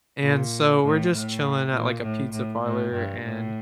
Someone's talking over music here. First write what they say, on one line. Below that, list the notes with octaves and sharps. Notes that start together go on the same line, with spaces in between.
and so we're just chilling at, like, a pizza parlor and,
A#2
A2
A2
A#2
A2
A2
A2
G2
A2